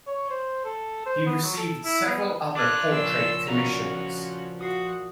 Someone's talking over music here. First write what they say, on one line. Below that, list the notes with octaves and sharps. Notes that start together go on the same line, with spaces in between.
He received several other portrait commissions.
C#5
C5
A4
C5
B3
F#3
A4
E4
B3
D4 F4 A5 D6 F#6 G#6 A#6
A#1 C#3 C6 E6 D7
F3 C#4 F#4 F5 A#5 C#6
F#4 D#6 C7